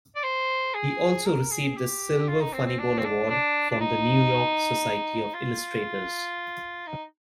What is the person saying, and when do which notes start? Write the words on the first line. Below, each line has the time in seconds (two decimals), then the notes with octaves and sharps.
He also received the Silver Funnybone Award from The New York Society of Illustrators.
0.16 D5
0.24 C5
0.74 G#4
1.26 A#4
1.51 G#4
1.76 G4
2.28 F4
2.40 D#4
2.53 C4
2.66 C4
2.79 D4
2.98 C4
3.05 D4
3.30 D4
3.71 D4
3.80 D#4
5.34 F4
6.87 D#4